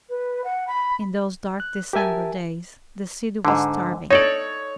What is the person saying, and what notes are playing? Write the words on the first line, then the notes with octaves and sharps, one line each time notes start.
In those dark December days the city was starving.
B4
F#5
B5
F#6
G4 A#4 E5 G#5 A5
G#2 D3
D#4 A4 C#5 D5